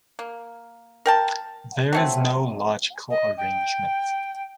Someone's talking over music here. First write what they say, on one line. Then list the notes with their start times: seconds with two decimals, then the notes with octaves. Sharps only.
There is no logical arrangement.
0.19 A#3
1.06 A#4 G5 A5
1.93 F#3 A3 C4
3.10 D#5
3.37 G5